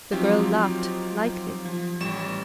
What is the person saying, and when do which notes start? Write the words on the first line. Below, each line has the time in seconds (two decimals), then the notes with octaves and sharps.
The girl laughed, lightly.
0.11 F3 F#3 C4 D#4 F4 G4
1.65 F3
2.00 A1 G3 C#6 E7